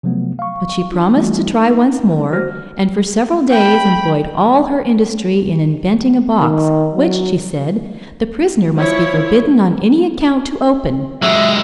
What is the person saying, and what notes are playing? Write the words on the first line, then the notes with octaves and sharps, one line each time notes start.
But she promised to try once more; and for several days employed all her industry in inventing a box, which, she said, the prisoner must be forbidden on any account to open.
C3 F3 F#3 A3 B3
F5 C#6
D4 F4
E3 G3 A3 B3 F#4
D#4
F#4 C5 F6 A#6
G5 B5
D#3
F#3
F3 E4 C#5
F#3 G#3 E5